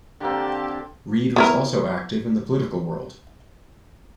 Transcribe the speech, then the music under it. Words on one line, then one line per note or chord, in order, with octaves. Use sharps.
Reed was also active in the political world.
D3 A#3 C4 G4 A5
B3 E4 A#4